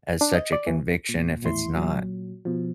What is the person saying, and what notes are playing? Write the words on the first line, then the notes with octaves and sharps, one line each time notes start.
as such a conviction if it's not
D4
D#5
D5
E3
A#2
A#1 E2 A2 E4 C6
A#2 F#3
B2 F3